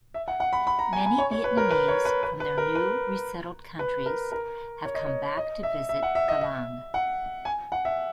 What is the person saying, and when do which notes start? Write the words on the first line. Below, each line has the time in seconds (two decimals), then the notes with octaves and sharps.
Many Vietnamese from their new resettled countries have come back to visit Galang.
0.14 E5
0.28 F#5
0.40 F#5
0.53 B5
0.67 B5
0.79 A#5
0.93 G#5
1.06 G#5
1.18 C#5
1.31 C#5
1.44 B4
1.57 A#4
1.71 B4
1.88 C#5
2.05 B4
2.23 B4
2.40 B4
2.58 A#4
2.75 B4
3.79 B4
4.06 A#4
4.32 A#4
4.85 C#5
4.95 D#5
5.06 C#5
5.37 D#5
5.63 E5
5.89 E5
6.03 F#5
6.15 E5
6.28 D#5
6.41 E5
6.94 F#5
7.45 G#5
7.72 F#5
7.85 E5